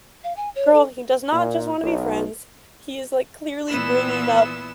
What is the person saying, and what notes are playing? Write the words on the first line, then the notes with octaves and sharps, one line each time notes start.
"Girl, he does not just wanna be friends. He is, like, clearly bringing up
F5
G#5
C#5
A4
A#2
B1
A#2 E3 B3 E4 E6